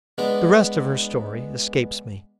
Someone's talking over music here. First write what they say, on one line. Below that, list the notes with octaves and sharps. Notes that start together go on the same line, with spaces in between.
The rest of her story escapes me.
G#3 B3 D4